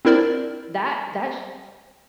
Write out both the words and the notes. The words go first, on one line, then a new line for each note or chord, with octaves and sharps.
that that sh
C4 D4 E4 A#4 C5 D5